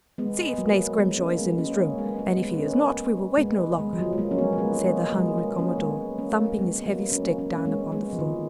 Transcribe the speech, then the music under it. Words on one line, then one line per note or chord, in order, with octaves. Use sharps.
"See if Nace Grimshaw is in his room, and if he is not, we will wait no longer!" said the hungry commodore, thumping his heavy stick down upon the floor.
G#3 B3
B3
F#3 A#3
G#3 B3
A#3 C#4
G#3 B3
A#3 C#4
A#3 C#4
G#3 B3
G#3 B3
G#3 B3
B3
A#3 C#4
G#3 B3
G#3
F3
F#3
G#3
F#3 A#3
C#4
G#3 B3
A#3
G#3 B3
A#3
G#3 B3
G#3
F#3 A#3
G#3 B3
A#3 C#4
G#3 B3
A#3 C#4
G#3 B3
B3
F#3 A#3
A#3 C#4
A#3 C#4
C#4
G#3 B3
G#3 B3
F3
D#3